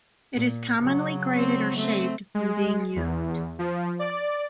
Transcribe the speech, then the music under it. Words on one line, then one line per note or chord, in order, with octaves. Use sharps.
It is commonly grated or shaved when being used.
A#2
C#3 F#3
C4
A3 C4
G#3
E2
F3
D5